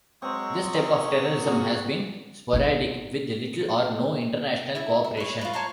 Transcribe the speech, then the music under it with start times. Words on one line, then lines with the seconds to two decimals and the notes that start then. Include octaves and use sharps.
This type of terrorism has been sporadic, with little or no international cooperation.
0.22 F#3 G#3 C4 C#6 D#6
0.77 C#4
1.45 A#2 F#4 G#4
2.53 C#4 D#4
4.75 E4 E5
5.04 E5
5.17 B4 C#5
5.41 F4 B4
5.53 C#5 A5 A#5 C6